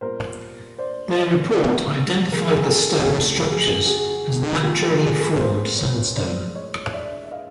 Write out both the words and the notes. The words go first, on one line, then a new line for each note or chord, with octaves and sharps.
Their report identified the stone structures as naturally formed sandstone.
A#2 G3 B3 A#4 C5
C5 D5
C#5 D#5
C3 E3 A3 D4 D5 E5
G#4 A#4
G#4 A#4
A#4
G4 A4
F#4 G#4
F2 C#3 E3 A3 G4 A4
F#4 G#4
F#4 G#4
A2 F#3 B3 D#4 F4 G4
G4 A4
G#4 A#4
A4 B4
A#4 C5
B4 C#5
A2 E3 G#3 C#4 C5 D5
C#5 D#5
D5 E5
E5
D#5 F5